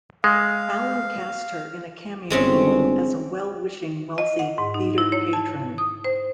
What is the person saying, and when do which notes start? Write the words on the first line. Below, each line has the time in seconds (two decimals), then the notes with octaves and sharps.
Allen cast her in a cameo role as a well-wishing wealthy theatre patron.
0.24 G#3 F5
2.30 G1 G#3 C4 C#4
4.18 D#5
4.39 F#5
4.58 G#2
4.74 D#4
4.98 E4
5.12 C#5
5.33 A5
5.78 D#6
6.04 C5